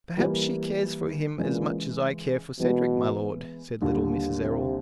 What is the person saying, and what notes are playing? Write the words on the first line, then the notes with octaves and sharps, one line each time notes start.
"Perhaps she cares for him as much as I care for Cedric, my lord," said little Mrs. Errol.
A#2 E3 G3 A#3
A#2 C#3 E3 G#3
B2 E3 G#3 B3
D#2 D3 G3
C3